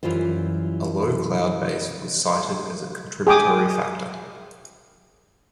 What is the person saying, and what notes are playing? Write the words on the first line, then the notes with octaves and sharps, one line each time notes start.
A low cloud base was cited as a contributory factor.
F#2 E3 G3 F4 C5
G#4 G5 D6 D#6